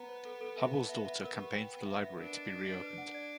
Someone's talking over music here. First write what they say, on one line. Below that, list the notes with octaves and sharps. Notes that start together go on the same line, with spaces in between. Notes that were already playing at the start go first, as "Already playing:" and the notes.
Hubbell's daughter campaigned for the library to be reopened.
Already playing: B3 A#5
C5
A4
A4
E5
A5
E5
E5
A#4
G4
G5
G5
E5
E5
D4 A#4
D#5
D#5
D#5
B4
F#5
D5